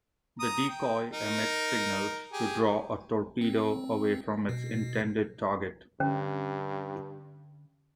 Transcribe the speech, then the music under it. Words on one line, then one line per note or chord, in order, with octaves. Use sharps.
The decoy emits signals to draw a torpedo away from its intended target.
A#5 D#6
G5
D#4 A#4
G4 G#4
C4
B2
G2 D3 C#4